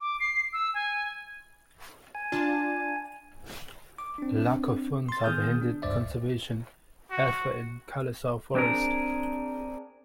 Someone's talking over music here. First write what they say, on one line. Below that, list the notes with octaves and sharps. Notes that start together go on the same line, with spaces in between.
Lack of funds have hindered conservation effort in Kalesar forest.
D6
C7
E6
G#5
G#5
D4 F4 A5
D6
C4 D4
C6 A6
D#3 B3 G#4 D#6 F6 G6
D4
C#2 G2 C5 D5 E5
F#4
C4 D4 G#4 A#4